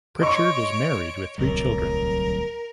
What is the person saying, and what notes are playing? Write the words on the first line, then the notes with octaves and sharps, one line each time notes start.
Pritchard is married with three children.
C#5 D#5 C6 C#6 D7
D1 C2 F#3 A#4